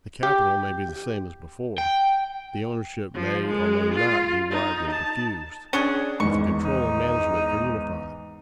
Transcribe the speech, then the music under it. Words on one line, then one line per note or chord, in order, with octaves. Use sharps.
The capital may be the same as before, the ownership may or may not be widely diffused, but the control and management are unified.
G4
G5
F3
G#3
F4
D#4
A5
C#4 D4 G#4 G7
G#1 E2 G#2 C#6
D#4